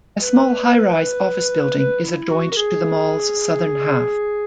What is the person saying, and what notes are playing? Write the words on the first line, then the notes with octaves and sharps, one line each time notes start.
A small highrise office-building is adjoined to the mall's southern half.
B4
B4
E4
F#4
A#4
G#4